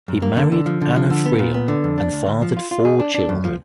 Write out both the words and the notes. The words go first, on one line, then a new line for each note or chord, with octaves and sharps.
He married Anna Friel and fathered four children.
F#2
A#3
D3
D3
F3
D3
F3
D3
B3
A#2
B3
D3
F2
D4
D2
D2
F3
F4
F4
G#4
D4
D4
F#2
F3